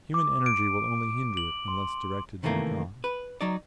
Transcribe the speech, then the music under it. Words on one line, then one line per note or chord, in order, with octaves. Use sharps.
Human energy will only hinder it unless directed by God.
D6
D7
F#7
C6
C3 D#3 E3 A3 A#3
B4
F#3 D#4 D5